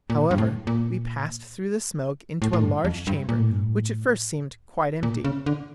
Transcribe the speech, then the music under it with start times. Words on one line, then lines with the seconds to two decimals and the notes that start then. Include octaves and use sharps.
However, we passed through the smoke into a large chamber, which at first seemed quite empty.
0.10 A#2
0.31 G2
0.38 A2
0.67 A#2
2.42 A2
2.53 A2
2.64 G2
2.85 F2
3.07 G2
3.29 A#2
3.39 A2
3.51 G2
3.62 A2
5.03 A#2
5.24 C#3
5.46 D3